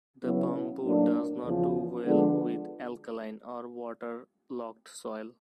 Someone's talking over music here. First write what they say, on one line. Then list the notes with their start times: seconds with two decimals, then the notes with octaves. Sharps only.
The bamboo does not do well with alkaline or water-logged soil.
0.23 C#3 F#3 B3 E4
0.83 A2 F#3 A#3 D4
1.44 E2 C#3 F3
2.04 D3 F3 G#3 B3 D4